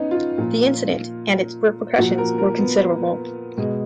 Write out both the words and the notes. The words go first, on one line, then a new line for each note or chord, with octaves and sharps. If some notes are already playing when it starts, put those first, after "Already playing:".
The incident and its repercussions were considerable.
Already playing: B3 C#4 D#4
F4
A#2 F3
A#2 F3 F#4
A#4
A#4
B3
B2 G#3